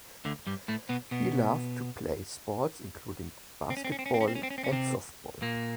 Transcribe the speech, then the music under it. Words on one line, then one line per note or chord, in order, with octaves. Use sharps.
He loved to play sports including basketball and softball.
D2 D3
G2 G3
A2 A3
B2 B3
B2 B3
C4
C#4
C4
C#4
C4
C#4
C4
C#4
C4
C#4
C4
C#4
C4
C#4
C3 C4
A#2 A#3